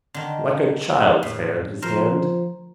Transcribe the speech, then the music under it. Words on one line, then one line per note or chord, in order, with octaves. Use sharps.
Like a child's hand, his hand.
D3 D#3
A2
F3 A#4 C5